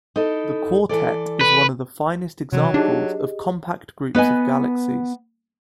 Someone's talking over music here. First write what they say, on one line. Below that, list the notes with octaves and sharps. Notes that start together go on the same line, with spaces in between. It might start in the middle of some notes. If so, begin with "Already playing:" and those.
The quartet is one of the finest examples of compact groups of galaxies.
D#4 E4 A4
E3 A4 D5
B4
C3 E3 F#3
D4 D#4 G4 G#4 D#5
B3 B4 D#5 G#5